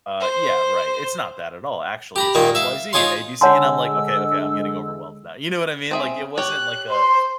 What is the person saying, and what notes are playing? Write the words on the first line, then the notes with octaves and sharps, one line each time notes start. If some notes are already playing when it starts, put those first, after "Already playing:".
Uh, yeah, right, it's not that at all, actually, it's XYZ and ABC, and, I'm like, "Okay, okay. I'm getting overwhelmed now," you know what I mean? Like, it wasn't like a
C5
G4 A#5 B5
A#2 D#3 A#3
E5 F5
D#4 F4 G#4 C#5 F5 C6
D3 G#3 C#5 F#5 G#5 A5 C6 E6
C4 G#4 E5
G4 C#5 F#6
C5 C6